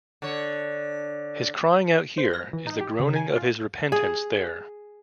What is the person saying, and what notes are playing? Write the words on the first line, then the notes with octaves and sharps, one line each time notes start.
His crying out here is the groaning of his repentance there.
D3 C#5
C5
A#6
E3
D#4
G4
C#3
G#5
F4
G#4